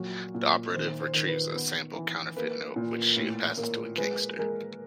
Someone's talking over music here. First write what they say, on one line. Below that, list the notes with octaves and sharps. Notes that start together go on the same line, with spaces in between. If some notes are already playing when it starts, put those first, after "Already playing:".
The operative retrieves a sample counterfeit note, which she passes to a gangster.
Already playing: A#2 F#3
A#2
D#3 C5
C5
D#3
B4
B3
E3
A#3 B4
A#2
A2
A#3
G#3 B4
G#3 A#4